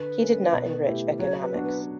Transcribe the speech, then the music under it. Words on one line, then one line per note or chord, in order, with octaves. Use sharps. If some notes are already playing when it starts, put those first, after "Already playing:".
He did not enrich economics.
Already playing: D3 B4
A3 C#4
B2
A3 E4 G4
F#3 C#5
B4
B3 D4 F#4
B4